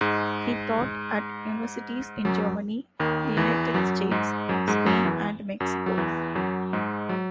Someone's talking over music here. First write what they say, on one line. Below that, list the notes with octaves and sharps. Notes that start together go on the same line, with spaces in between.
He taught at universities in Germany, the United States, Spain, and Mexico.
G#2 G#3
F#2 F#3
D#2 D#3
E2 E3
F#2 F#3
G#2 G#3
F#2 F#3
G#2 G#3
F#2 F#3
E2 E3
F#2 F#3
F#3
E2 E3
F#2 F#3
G#2 G#3
F#3